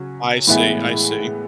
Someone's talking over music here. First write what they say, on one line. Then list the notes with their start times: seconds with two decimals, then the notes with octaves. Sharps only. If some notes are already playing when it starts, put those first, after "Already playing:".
I see I see.
Already playing: C#3 F#3 C#4
0.47 A2 E3 G#3 B3 E4